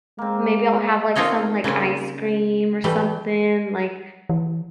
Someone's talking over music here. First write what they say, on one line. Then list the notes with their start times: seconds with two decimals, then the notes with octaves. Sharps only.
maybe I'll have, like, some, like, ice cream or something like,
0.18 G#3 A#3 C4
1.16 A#3 C4 D#4 F4 C#5 D#5
1.64 C#3 A#3 C4 C#4
2.84 E3 G3 A3 G4
4.29 E3